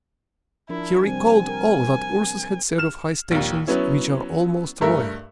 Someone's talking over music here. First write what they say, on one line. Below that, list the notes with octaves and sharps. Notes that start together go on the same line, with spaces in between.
He recalled all that Ursus had said of high stations which are almost royal.
F3 D4 E4 A#4
C3 G3 C4 G#5
A#4
F6 E7
A#1 D#2
F#3 B3 C#4 E4
G2 A3 A#4 E5